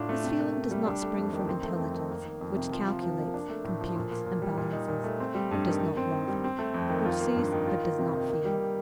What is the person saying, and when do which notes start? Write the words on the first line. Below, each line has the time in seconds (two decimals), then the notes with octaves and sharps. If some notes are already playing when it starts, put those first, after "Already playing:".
This feeling does not spring from intelligence, which calculates, computes, and balances, but does not love; which sees, but does not feel.
Already playing: A2 D4 F4
0.09 A3
0.24 C3
0.40 A#3
0.55 C3
0.71 G3
0.86 D4
1.02 A3
1.18 F2
1.32 D#3
1.49 C4
1.64 A3
1.78 F2
1.94 D#3
2.11 A#3
2.26 D#3
2.41 F2
2.56 C3
2.73 F3
2.87 F4
3.02 F3
3.19 A#3
3.34 D4
3.50 A3
3.64 A2
3.81 F3
3.96 A#2
4.11 A#3
4.26 A#2
4.42 G3
4.57 A#2
4.73 D#4
4.88 A#2
5.04 A3
5.20 C4
5.35 G3
5.51 G2
5.66 D#3
5.82 D#3
5.97 C4
6.13 D#3
6.28 G3
6.44 C4
6.59 A3
6.74 F2
6.90 D#3
7.06 F4
7.21 A#3
7.36 G2
7.52 D#3
7.67 F4
7.83 A#3
7.99 C3
8.14 D#3
8.30 A#3
8.45 G3